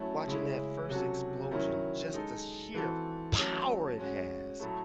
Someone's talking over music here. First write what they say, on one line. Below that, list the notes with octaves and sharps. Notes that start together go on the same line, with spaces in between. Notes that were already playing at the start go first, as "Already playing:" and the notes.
watching that first explosion, just the sheer power it has,
Already playing: F#3 A3 C#4 E4
C#3 G#3 C#4 E4
C3 F#3 C#4 F#4 A4
D#3 F#3 C#4 E4
G#3 D#4 A4
E3 C4 F#4 A4
F#3 A3 C#4
G#3 C#4 F#4
A2 F#3 A3